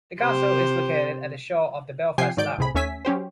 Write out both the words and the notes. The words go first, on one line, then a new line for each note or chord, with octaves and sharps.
The castle is located at the shore of the Belfast Lough.
C3 G4 C5
C3 F3 G4 G5 G#5 C7
G#2 D#3 F#3 D5 G6 D7
C2 A2 C3 G#4 B5
D#2 A3 C#4 E5 G#5 B6
F#3 C#4 G4 C5